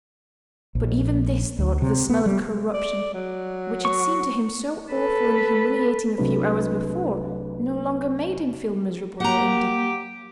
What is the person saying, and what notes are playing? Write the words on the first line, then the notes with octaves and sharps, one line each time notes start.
But even this thought of the smell of corruption, which had seemed to him so awful and humiliating a few hours before, no longer made him feel miserable or indignant.
A#1
D2
C3
B3
G3
D5
F#3
C#6
A4 B4
C2 C3 F#3 A3 D4 B4
A#3 G4 F#5 A#5